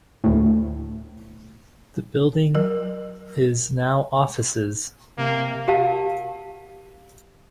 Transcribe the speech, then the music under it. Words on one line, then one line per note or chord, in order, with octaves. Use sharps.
The building is now offices.
D2 A2
F#3 A#4
C3 A#3
G4 A#4 F5 A5